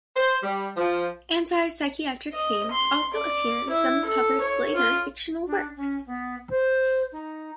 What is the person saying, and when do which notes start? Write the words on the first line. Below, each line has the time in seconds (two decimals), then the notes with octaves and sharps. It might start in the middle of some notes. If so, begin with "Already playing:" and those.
Anti-psychiatric themes also appear in some of Hubbard's later fictional works.
0.16 C5
0.43 G3
0.77 F3
2.32 D#5
2.71 C6
3.13 D5
3.70 E4
4.04 A4
4.41 C#5
4.75 F4
5.46 D4
5.76 C#4
6.06 B3
6.50 C5
7.11 D#4